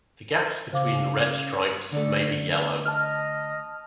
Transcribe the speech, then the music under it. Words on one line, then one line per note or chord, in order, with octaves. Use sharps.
The gaps between the red stripes may be yellow.
C#3 C5 F5 D6
D3 A3
D#5 A5 F6